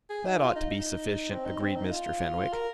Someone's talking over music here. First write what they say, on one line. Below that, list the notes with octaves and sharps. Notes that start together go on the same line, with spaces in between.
"That ought to be sufficient," agreed Mr. Fenwick.
G#4
D#4
F4
D#4
D#4
C4
D#4
C4
D#4
F4
A#4